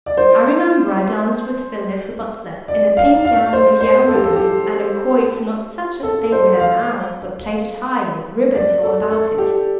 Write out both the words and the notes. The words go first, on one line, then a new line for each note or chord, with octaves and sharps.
I remember I danced with Philip, the butler, in a pink gown, with yellow ribbons, and a coif, not such as they wear now, but plaited high, with ribbons all about it.
D5
C5
D5
F5
F5
C5
C5
A4
G4
A4
G4
A4
C5
F5
D5
A4
A4
G4